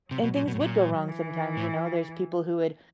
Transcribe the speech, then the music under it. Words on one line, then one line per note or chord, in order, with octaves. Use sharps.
and things would go wrong sometimes, you know, there's people who would
C3 F#3
B2
A#2
B2
A2
A#2
E3
A2